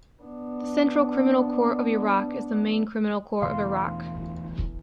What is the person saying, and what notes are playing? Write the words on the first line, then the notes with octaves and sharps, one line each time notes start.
The Central Criminal Court of Iraq is the main criminal court of Iraq.
B3 D4
E2 B2 D3 E3 A3 F5 C6